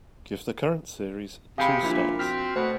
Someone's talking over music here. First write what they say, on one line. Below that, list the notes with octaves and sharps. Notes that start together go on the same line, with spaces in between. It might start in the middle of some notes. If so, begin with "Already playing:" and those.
Give the current series two stars.
C3 G#4 F5 G5 B5 C7
A#2 F3 D4 E4 F4 B6
C4 F#4 F6 B6
B2 A3 C5